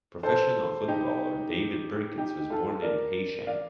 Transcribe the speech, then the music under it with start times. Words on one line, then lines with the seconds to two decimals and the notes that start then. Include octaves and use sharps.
Professional footballer David Perkins was born in Heysham.
0.23 A4 C5
0.88 D#4 G4
2.18 D#4 G4
2.50 F4 A4
2.82 A#4 D5
3.47 D5 F5